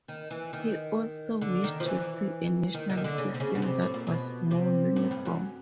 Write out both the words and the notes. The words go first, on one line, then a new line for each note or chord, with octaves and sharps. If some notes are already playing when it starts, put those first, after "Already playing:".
He also wished to see a national system that was more uniform.
D#3
E3
D#3
D3
D#3
F3
E3
D#3
D3
D#3
D3
C#3
C3
C#3
B2
C3
A2
A#2
B2
C3
A2
G2
F#2